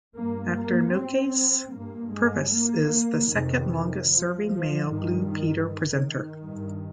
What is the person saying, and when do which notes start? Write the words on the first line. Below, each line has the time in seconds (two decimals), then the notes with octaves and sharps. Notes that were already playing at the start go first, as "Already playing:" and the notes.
After Noakes, Purves is the second longest serving male Blue Peter presenter.
0.15 G2 A#3
0.55 A#3
0.94 C4
1.73 G2 A#3
2.11 G#3
2.52 A#3
3.29 F2 C3 D#3
4.09 F3
4.48 F3
4.88 G2 D#3
5.27 D#3
5.67 D#3
6.44 G2